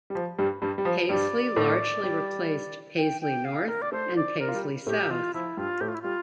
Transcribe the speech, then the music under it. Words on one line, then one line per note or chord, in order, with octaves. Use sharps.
Paisley largely replaced Paisley North and Paisley South.
G3
F3
G2 G3
G2 G3
G3
F3
G2 G3 D5
A2 A3
G3 G4
G5
G5
F5
A#4
D5
A3 A4 C5
D5
A#4
F4
G3 G4
A2 A3 G4
E3 F4
F3 E4
G2 G3 F4
A2 A3 G4
F4
E4
G3 F4